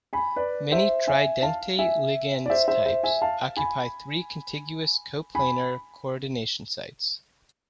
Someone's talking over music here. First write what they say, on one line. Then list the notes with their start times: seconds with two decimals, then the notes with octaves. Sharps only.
Many tridentate ligands types occupy three contiguous, coplanar coordination sites.
0.13 G#5 B5
0.36 B4 D5
0.72 C5 E5
1.07 E5 G#5
1.43 F5 A5
1.79 E5 G#5
2.46 D5
2.50 C5 E5
2.68 C5 E5
2.86 C5 E5
3.03 E5 G#5
3.22 F5 A5
3.57 G#5 B5
5.35 G#5 B5